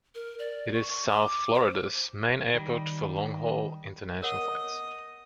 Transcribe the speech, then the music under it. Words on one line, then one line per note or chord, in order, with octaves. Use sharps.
It is South Florida's main airport for long-haul international flights.
A#4
D5
C#6
D6
C5
D#3 G3
A#4 C#5 D#5 F#5 D#6